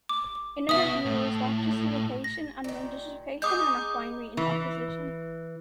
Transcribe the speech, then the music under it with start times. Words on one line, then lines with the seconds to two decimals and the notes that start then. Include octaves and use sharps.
Another view is that justification and non-justification are not in binary opposition.
0.09 D6
0.69 B3 F#4 E5 D#6
1.05 A2
2.24 A#6
2.64 A#2 D#3
3.42 G#3 B3 D#4 D6 D#6 G6
4.37 E3